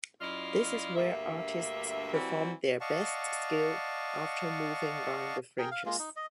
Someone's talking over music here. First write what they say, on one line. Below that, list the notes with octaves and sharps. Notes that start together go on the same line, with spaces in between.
This is where artists perform their best skill after moving round the fringes.
F#2 E4 F4 D5 D#5 F5
D2 G2 A#3 E5
E3 F#3 G3 C4
D5 D#5 F5 F#5 A5 C#6
G#4 A#4 G5
F5
G#3 A#3 F4
D#4
D#5